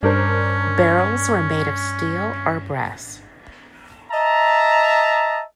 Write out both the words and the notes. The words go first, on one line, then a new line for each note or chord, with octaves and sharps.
Barrels were made of steel or brass.
G2 C#4 D4 A#4 C5
D#5 E5 A5 A#5